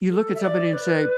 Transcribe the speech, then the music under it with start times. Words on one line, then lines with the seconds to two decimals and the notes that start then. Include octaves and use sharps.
you look at somebody and say,
0.10 A4
0.35 E5
0.41 D5
0.73 B4